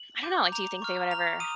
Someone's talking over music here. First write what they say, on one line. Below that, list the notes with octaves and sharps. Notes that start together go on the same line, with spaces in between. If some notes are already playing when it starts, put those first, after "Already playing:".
I don't know, like, do you think they would ever,
Already playing: F#7
D6 G6
A#5 F7
C#6 F6
A#5 F7
D#6 D#7